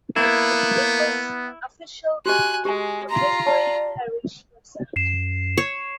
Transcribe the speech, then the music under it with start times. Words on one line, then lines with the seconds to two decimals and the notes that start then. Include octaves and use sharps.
It hosts an official Pontesbury Parish website.
0.16 A#3 B3 E4
2.26 F#4 G4 D#5 G#5 F#6
2.65 G#3 G4 G#5
3.09 F4 A#5 C6
3.47 D5 A5
4.96 F#2 C7 E7
5.58 C#5